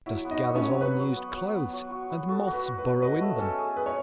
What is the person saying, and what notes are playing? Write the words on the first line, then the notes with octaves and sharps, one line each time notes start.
Dust gathers on unused clothes, and moths burrow in them.
F#3 E4 E5
B3
D#4 D#5
F#4
C#4 C#5
F#3
F#4 B4
F#3
B3
F#3
B3
F#3
F#4
B3
F#4 A4
F#4
B4
F#4
B4
F#3
B4 D#5
A3
C#4 A4
G#4
G#4 B4
C#5